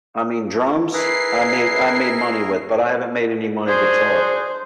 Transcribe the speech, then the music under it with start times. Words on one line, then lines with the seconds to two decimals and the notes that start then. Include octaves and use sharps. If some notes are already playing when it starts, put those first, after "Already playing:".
I mean, drums, I made I made money with, but I haven't made any money guitar.
0.93 E4 G#4 A#4 B4 C7
3.67 D4 F#4 G#4 C5